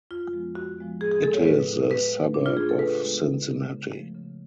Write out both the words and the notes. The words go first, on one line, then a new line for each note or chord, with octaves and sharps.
It is a suburb of Cincinnati.
F2 F4
F3 G#3 B3
F2 F#4
F3 G#3 B3
A2 G#4
G#4
G#3 B3 A4
C#5
A2 B4
G#3 B3
A2 B4
F#3 A3
A2 D4
F4
F#3 A3 G#4
A4
C#3 B4
G#3 B3
C#3
G#3 B3
C#3
F3 A3
C#3